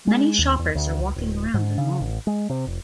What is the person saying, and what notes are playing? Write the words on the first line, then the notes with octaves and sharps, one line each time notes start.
Many shoppers are walking around in a mall.
G#3
D#2
E2
D2
C#2
D1
G#2
C#3
A1
G#3
C3
F1